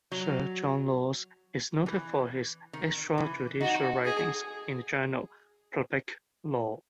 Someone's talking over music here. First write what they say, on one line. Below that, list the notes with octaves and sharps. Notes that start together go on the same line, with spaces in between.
Sir John Laws is noted for his extrajudicial writings in the journal, "Public Law".
F#3
E3
D#3
E3
D#4 F#4
G#4